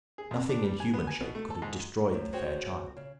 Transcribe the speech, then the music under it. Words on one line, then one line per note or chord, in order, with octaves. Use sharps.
Nothing in human shape could have destroyed the fair child.
G#4
F2
D4
G3
G#5
B3
G#5
B2
A3
A4
G#2
F#2 A3
F#4 G#4 C5 C#5 G5
C#3